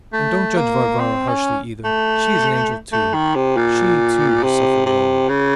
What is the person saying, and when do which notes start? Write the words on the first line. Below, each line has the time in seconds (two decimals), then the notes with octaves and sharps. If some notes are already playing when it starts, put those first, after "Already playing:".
And don't judge Varvara harshly either, she is an angel too, she, too, has suffered wrong.
0.13 A3
0.57 A#3
0.99 C4
1.28 C#4
1.85 A3
2.93 A3
3.14 D#3
3.35 C3
3.57 A#2
4.43 C3
4.86 C3
5.29 C#3